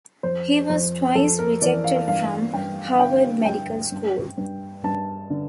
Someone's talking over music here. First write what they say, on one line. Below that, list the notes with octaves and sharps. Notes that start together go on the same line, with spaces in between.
He was twice rejected from Harvard Medical School.
F2 C5
F2 C5
F2 A4
A#4
E3 D5
F5
G2 F5
G2 G5
D3 G5
G2 G5
G2
G2
G2 A5
D3